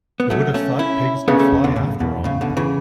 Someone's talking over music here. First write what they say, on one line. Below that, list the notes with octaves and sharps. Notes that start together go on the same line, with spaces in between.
Who would have thought pigs could fly after all?
B3
B2 F#3 A3
A3 C#4
C#4 E4
C#3 B3 D4
A3 C#4
E2
B2 D3
F#2 A2 C#3
E2 B2
A2 C#3
B2 D3
G2
C#3 E3